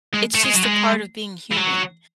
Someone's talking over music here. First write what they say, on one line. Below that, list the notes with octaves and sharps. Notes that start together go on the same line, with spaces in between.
it's just a part of being human,
G#3
A3
G#3
F#3
G#3
E3
F#3